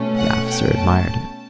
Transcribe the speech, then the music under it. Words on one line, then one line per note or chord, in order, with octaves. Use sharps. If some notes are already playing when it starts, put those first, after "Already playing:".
The officer admired it.
Already playing: B2 A3 C#4
F#5
G5
A5